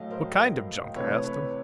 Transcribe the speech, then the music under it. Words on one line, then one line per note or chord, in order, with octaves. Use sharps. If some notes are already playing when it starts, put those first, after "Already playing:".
"What kind of junk?" I asked him.
Already playing: A2 F#3 A3 D#5 F5
A#4 C5
C3 E3 A3 B4 C#5
B4 C#5